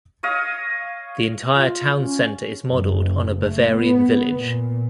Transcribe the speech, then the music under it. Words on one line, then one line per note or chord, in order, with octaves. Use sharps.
The entire town center is modeled on a Bavarian village.
C#5 D#5 F5 D#6
F4
C#4
F#1
A3
B3
A#2